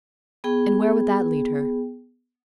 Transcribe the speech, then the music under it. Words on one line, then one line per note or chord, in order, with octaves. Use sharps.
And where would that lead her?
B3 G#4 G5